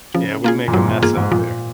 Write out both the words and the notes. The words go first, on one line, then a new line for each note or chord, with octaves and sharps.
Yeah, we make a mess out there.
C#3 F3
A#3 F4 G#4
A#2
G#2 F#3
A#2
A#2 A#3 F4 G#4
G#2
A#2 F3